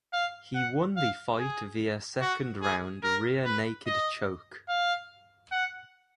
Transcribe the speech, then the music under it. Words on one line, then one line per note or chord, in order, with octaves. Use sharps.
He won the fight via second round rear-naked choke.
F5
F#5
F5
G#4
F#4
G#4
A#4
B4
D#5
F5
F#5